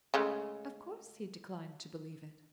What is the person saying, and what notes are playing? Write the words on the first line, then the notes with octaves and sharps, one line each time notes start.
Of course he declined to believe it.
C#3 G#3 A3